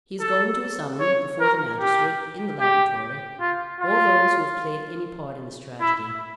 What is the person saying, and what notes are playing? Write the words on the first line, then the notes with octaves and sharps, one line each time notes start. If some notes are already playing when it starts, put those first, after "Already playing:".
He is going to summon, before the magistrate, in the laboratory, all those who have played any part in this tragedy.
A4
C#5
A#4
G4
G4
F4
F4
E4